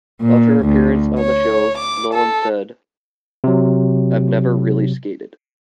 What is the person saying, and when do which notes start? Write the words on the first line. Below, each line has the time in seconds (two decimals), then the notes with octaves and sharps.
Of her appearance on the show Nolan said, I've never really skated.
0.21 A#2
0.65 D2
1.20 C#5
1.78 D6
2.13 A4
3.44 C3 F#3